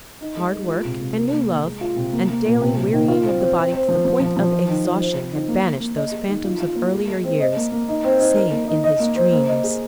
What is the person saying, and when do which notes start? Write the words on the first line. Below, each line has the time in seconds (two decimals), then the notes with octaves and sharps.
Hard work and new love and daily wearying of the body to the point of exhaustion had banished those phantoms of earlier years, save in his dreams.
0.21 D#4
0.36 G#3
0.53 G#3
0.68 F4
0.85 C3
1.01 C3
1.17 A#4
1.33 A#3
1.49 A#3
1.65 G#3
1.81 F4
1.96 C3
2.13 A#3
2.29 A#3
2.45 A#2
2.61 C3
2.76 C3
2.93 D#3
3.08 F4
3.24 C4
3.40 C4
3.56 C4
3.72 C5
3.88 F3
4.05 F3
4.20 F3
4.37 F3
4.52 F4
4.68 D#3
4.84 F4
5.00 C5
5.16 C4
5.32 D#3
5.48 A#3
5.64 A#3
5.80 A#3
5.96 D#5
6.12 G#4
6.28 D#3
6.44 F4
6.60 F4
6.76 A#3
6.92 G#3
7.08 G#3
7.24 C4
7.40 D#5
7.56 A#3
7.72 A#3
7.88 D#4
8.04 C4
8.20 D#4
8.36 A#4
8.52 A#3
8.68 D#4
8.84 D#5
9.00 A#3
9.16 C5
9.32 A#3
9.47 D#5
9.64 G#4